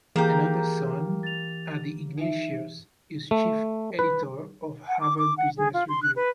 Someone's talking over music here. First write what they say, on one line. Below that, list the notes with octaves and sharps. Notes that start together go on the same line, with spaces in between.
Another son, Adi Ignatius, is Chief Editor of Harvard Business Review.
E3 A#3 G4 G#4 A#5 G6
A6 F7
D#4 E5
A3
B4
F#5
D6
D6
F#5
G#4
F4
C6
F#6
B4